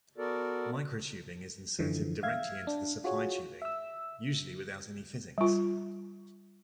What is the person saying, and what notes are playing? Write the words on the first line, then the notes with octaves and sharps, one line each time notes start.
Microtubing is inserted directly into the supply tubing, usually without any fittings.
B3 F#4 A4 A#4 D5
F#2 D3 E3 F3
E5 F5 G#6
D4
F4 F#4 G#4 C#5
E5 E6
G3 F4